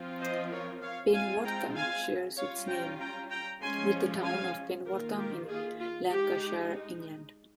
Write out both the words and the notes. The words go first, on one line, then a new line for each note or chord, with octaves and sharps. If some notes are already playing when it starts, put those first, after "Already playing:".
Penwortham shares its name with the town of Penwortham in Lancashire, England.
Already playing: F3 C4 F4
C5 D#5
A#4 C#5
C#5 F5
G#3 C4 F4 F5 G#5
G5 A#5
F5 G#5
G3 C#4 F4 C#5 F5
G5 A#5
G5 A#5
G5 A#5
F3 G#3 C#4 F4 G#5 C6
F5 G#5
D#3 A#3 F4 G4 A#4
G4 A#4
F4 G#4
F4
G#3 D#4 G4